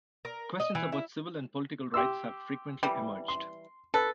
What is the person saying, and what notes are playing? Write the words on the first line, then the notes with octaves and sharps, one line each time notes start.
Questions about civil and political rights have frequently emerged.
A#4
D#5
E3
E4
G4 C6 E6
E3 G3
C6
A4 B4